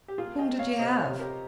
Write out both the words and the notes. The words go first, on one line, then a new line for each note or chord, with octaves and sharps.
Whom did you have?
G4
A#3 F4 G#4
D#5 G5
A#3
C#5 F5
C3 C5 D#5
A#4 C#5
C3
G4 A#4